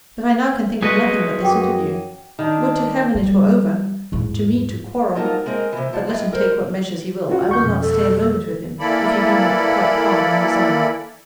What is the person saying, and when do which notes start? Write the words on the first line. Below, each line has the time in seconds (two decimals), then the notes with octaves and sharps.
But I now can think of nothing but this interview.--Would to Heaven it were over!--To meet to quarrel--but, let him take what measures he will, I will not stay a moment with him, if he be not quite calm and resigned.
0.82 F#3 F#4 G#4 B4 D#5 F#6
1.42 F#2 F#5 G5 D6
2.39 D#3 D4
3.15 G3
4.12 E2 G#2
5.15 G#2 F#3 D#4 F4 A#4 A5
5.46 G#3 C4 A#4 D#5
5.72 C3 E3
5.92 G#2 F3 A5
6.08 A2 G#3
6.33 A#4 C5
7.30 C#4 F4 F#4
7.49 D#2 C#6 G6
7.63 F2 B2
7.81 A4
8.80 E3 A#3 E4 A4 D5 B5